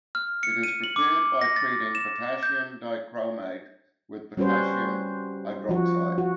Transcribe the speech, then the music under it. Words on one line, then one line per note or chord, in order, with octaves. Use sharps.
It is prepared by treating potassium dichromate with potassium hydroxide.
F6
C#7
D#7
F#7
D6
A#6
A6
E7
G6
G3 C#4 F#4 B4 C5
F3 F#4
F#4